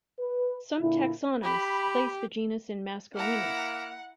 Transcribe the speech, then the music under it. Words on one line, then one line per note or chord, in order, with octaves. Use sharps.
Some taxonomists place the genus in "Mascarinus".
B4
A#2 D3 E4
G4 B5
A#3 E4 F#5 A#5